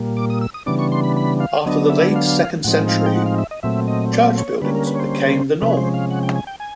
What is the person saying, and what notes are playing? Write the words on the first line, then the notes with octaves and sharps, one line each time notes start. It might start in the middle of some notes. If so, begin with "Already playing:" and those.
After the late second century, church buildings became the norm.
Already playing: A#2 G3 A#3
D6
D#6
E6
D#6
C#3 E3 G3 B3 D4 D6
C#6
C6
B5
B5
F5
D3 F#3 B3 D4 D#5
E5
F5
A2 F3 G#3 C4 D#4 F#5
F5
G5
F#5
F5
E5
D#5
A#2 F#3 A3 C4 E5
D#5
D5
C#5
D3 G3 A#3 C#4 B4
A#4
B4
C#5
C5
C3 F3 G#3 C#4 B4
C5
F5
F#5
G5
G#5
G5
G#5